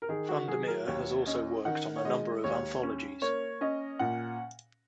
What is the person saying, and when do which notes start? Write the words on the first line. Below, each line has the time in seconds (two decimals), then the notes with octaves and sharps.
VanderMeer has also worked on a number of anthologies.
0.02 A#4
0.09 D#3 G#4
0.29 F#4
0.48 F#3 G#4
0.68 A#4
0.87 D#2 C#5
1.26 C#4 D#5
1.65 D#3 F#5
1.96 C#5
2.05 G#3 D#5
2.44 D#2 C#5
2.83 C#4
3.22 A#3 C#5
3.61 C#4 D#5
3.99 A#2 F#5